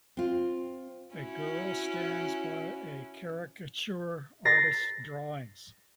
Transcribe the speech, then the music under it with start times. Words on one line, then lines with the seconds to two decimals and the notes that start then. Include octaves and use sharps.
A girls stands by a caricature artist 's drawings.
0.17 C4 F4
1.14 C#4 E4 F#4
4.45 A6 A#6 C7